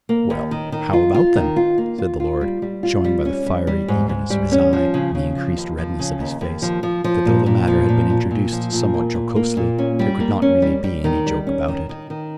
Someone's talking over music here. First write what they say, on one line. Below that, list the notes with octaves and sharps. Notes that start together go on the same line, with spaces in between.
"Well;--how about them?" said the lord, showing by the fiery eagerness of his eye, and the increased redness of his face, that though the matter had been introduced somewhat jocosely, there could not really be any joke about it.
A#3
D#2
D#3
D#3
F4
F4
D#3
F4
A#3
F4
F4
G3
G3
F4
G3
C#4
G3
G3
G#2
G#2
G3
C#4
F3
C#3
C#3
F3
D#2
F3
C#3
D#2
D#2
F3
F3
F3
A#2
A#2
F3
A#2
A#2
A#2
F3
A#2
A#3
A#2
A#3
A#2
C#4
G3
A#3
C#4
G3
G3
D#3
G3
C#4
D#3
D#3
D#3